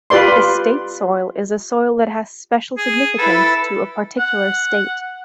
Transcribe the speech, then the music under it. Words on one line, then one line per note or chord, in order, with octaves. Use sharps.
A state soil is a soil that has special significance to a particular state.
F4 G4 B4 D5 C6
G#4
E4 A4 B4
F#5